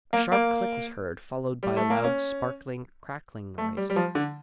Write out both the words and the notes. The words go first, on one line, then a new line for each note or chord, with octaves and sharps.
A sharp click was heard, followed by a loud, sparkling, crackling noise.
A#3
A#3
G3
A3
A#3
C#4
A3
G3
G3
F3
D3